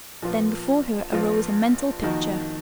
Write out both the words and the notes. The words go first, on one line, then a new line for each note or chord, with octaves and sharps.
Then before her arose a mental picture.
A#1 A#2 F3 B3 F4
A#1 A#2 F3 B3 F4
F2 D#3 A#3 D#4 F#4